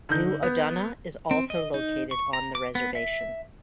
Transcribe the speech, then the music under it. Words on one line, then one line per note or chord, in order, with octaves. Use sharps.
New Odanah is also located on the reservation.
D3 D#4 G6
B3
C4
D#5
D#4
C#6
A#5
D6
B3
E5